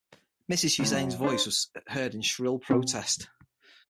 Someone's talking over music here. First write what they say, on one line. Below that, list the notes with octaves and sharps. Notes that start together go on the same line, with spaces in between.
Mrs. Hussain's voice was heard in shrill protest.
D2 A2
F#2
D4 C5
B2 C4